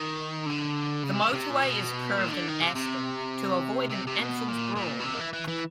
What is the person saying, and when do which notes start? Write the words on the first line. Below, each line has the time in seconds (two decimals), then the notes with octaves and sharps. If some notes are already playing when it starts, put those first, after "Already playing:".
The motorway is curved in Aston to avoid an Ansells brewery.
Already playing: D#3
0.46 D3
1.04 C#3
1.14 C3
1.22 C#3
1.33 C3
1.50 A#2
1.62 B2
2.18 A#2
2.29 D#3
2.33 D3
2.47 D#3
2.61 C3
2.75 C3
3.90 C3
4.07 C3
4.20 B2
4.48 A#2
4.77 A#2
5.00 B2
5.04 C3
5.14 D#3
5.20 E3
5.33 E3
5.48 E3